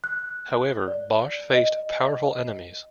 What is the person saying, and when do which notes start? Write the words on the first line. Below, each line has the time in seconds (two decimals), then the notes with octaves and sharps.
However, Bosch faced powerful enemies.
0.04 F#6
0.88 D5
1.53 D#5